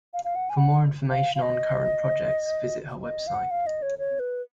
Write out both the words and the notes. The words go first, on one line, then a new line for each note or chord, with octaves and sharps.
For more information on current projects visit her website.
F5
F5
F#5
G#5
F#5
F5
F5
D#5
D#5
F5
F#5
F5
D#5
C#5
C#5
B4